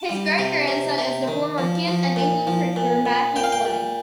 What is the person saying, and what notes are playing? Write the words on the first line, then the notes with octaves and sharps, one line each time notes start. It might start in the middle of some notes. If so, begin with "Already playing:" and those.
His great-grandson is the former Kent and England cricketer Matthew Fleming.
Already playing: A5
G3
C3
C3
C3
D#3
F3
F3
A#2
F3
A#2
A#2
A#2 G5
F5
G5
A#2